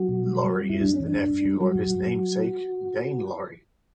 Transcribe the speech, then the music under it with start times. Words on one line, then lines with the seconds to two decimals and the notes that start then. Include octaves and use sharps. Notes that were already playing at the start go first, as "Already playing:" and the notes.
Laurie is the nephew of his namesake Daine Laurie.
Already playing: F#3 F#4
0.09 B2
0.24 G3
0.39 G3
0.54 G3
0.69 G2 E4
0.81 G2 D4
0.94 C#4
1.00 E3
1.07 D4
1.15 G2
1.30 G2
1.45 G3
1.60 F#3 G3 F#4
1.75 G2
1.90 G2